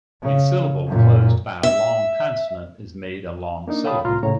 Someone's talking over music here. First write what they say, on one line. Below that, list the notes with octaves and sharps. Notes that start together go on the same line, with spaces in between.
A syllable closed by a long consonant is made a long syllable.
C#3
F#2 A#2
E5
A#3 D4 D#4
C#5 F5 G5 A5 B5 D#6
C2 A2 F4 A#5 C6 F6
D2 A2 C#3 C#5 A#5